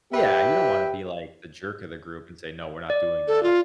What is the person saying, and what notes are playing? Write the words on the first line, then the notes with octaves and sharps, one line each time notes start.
Yeah, you don't wanna be like the jerk of the group and say, "No, we're not doing that."
G4 B4 E5 G5
D5
A4
F4